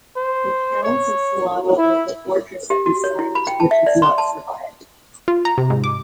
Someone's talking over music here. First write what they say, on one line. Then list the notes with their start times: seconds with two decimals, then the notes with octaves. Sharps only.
The counts of Celano built a fortress at this site, which has not survived.
0.16 C5
0.83 C#5
1.77 E4
2.70 G4
2.86 F#4
3.04 C#5
3.19 E4
3.35 B5
3.47 G5
3.60 A5
3.71 E5
3.86 D5
4.02 C6
4.18 A5
5.28 F4
5.45 A#5
5.58 C3
5.70 G#2
5.84 D6